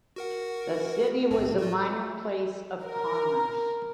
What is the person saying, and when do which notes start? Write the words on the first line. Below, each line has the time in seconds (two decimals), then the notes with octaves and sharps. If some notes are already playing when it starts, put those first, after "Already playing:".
The city was a minor place of commerce.
0.16 F#4 A#4 F#5
1.30 B1 A2 C4
1.58 F4 F#4
2.84 A#4